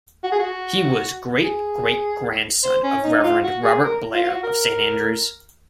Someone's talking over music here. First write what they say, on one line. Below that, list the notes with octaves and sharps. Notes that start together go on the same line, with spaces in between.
He was great great grandson of Reverend Robert Blair of Saint Andrews.
F#4
G#4
F#4
G#4
C5
C#4
D#4
D#4
F4
F#4
G#4
A#4
F4
F4
F#4
A#4